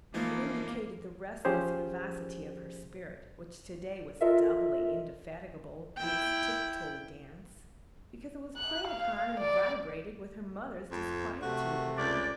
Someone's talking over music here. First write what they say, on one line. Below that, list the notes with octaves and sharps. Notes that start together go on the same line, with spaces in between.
It indicated the restless vivacity of her spirit, which to-day was doubly indefatigable in its tip-toe dance, because it was played upon and vibrated with her mother's disquietude.
E3 F3 A#3 D#4
F3 C#4 G4 G#4 C5
F4 A4 A#4 D#5 E5
E4 G5
F#6
F5
D5
F2
C3 A3 F#4
C#2 D5